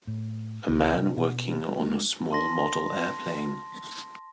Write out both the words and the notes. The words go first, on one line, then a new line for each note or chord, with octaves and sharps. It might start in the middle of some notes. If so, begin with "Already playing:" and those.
A man working on a small model airplane.
A2
C#2
C3
B2
G#3
A5 C6 A#6